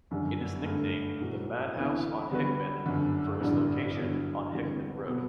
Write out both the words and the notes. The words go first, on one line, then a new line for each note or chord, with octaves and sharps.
It is nicknamed the "Madhouse on Hickman" for its location on Hickman Road.
G1 F#2 D3 G3
G2 D3 A3
B1 A2 F#3
D2 C3 E3 B3 E4
D3 G3 B3 F#4 B4
G1 F#2 D3
A1 G2 D3 G3 D4
G2 D3 F#3 B3
E2 D3 G3 C4
B2 F#3 B3